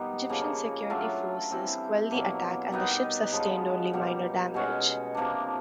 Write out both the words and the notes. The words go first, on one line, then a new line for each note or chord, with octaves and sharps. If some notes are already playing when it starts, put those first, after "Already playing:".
Egyptian security forces quelled the attack and the ship sustained only minor damage.
Already playing: B2 D#3 G3 B3 D#4
C#3 F3 A#3
F#3 A3 D4 F4
E3 G3 C4 E4
B2 F#3 A#3
D#3 G3 B3 D#4
C#3 F3 G#3
B2 G3 A#3
B2 G#3 C#4 F#4
C3 F3 A#3 D4